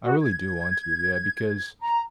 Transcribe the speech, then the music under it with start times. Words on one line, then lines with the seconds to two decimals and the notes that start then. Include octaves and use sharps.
I really do want to, yeah, because,
0.04 F#4
0.22 G#6
1.81 A#5